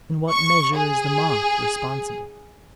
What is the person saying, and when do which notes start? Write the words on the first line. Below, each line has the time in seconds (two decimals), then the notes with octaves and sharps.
In what measure is the moth responsible?
0.34 C#6
0.76 G#4